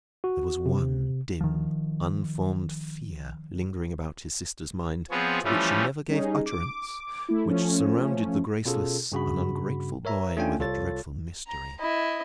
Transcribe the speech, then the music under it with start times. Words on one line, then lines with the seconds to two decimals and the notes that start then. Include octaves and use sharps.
There was one dim unformed fear lingering about his sister’s mind, to which she never gave utterance, which surrounded the graceless and ungrateful boy with a dreadful mystery.
0.24 F#4
0.66 C3
1.41 D#3 F3
5.11 F3 B3 C4 G#4 C#5
5.44 E3 F3 G3 A3 C#4
6.09 G3 C#4 D#4 G#4
6.46 D6
7.29 A3 E4
7.46 F3 A3 C#4
8.65 B2 C#4 F4 G#4 A4
9.12 G2 C#3 F#4 B5
10.05 A#4 C#5 E5 A#5
10.37 A3 C#4 D4 F4 G5 G#5
10.59 C2 F4 A4 C#5 A6
11.48 A#5
11.80 E4 D#5